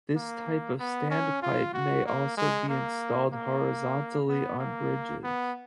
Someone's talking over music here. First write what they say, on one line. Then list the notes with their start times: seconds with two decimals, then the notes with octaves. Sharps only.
This type of standpipe may also be installed horizontally on bridges.
0.16 A#3
0.79 B3
1.11 C#4
1.43 F4
1.74 F#4
2.06 A#3
2.37 G#3
2.69 A#3
3.33 A#3
4.28 B3
4.59 A#3
5.23 B3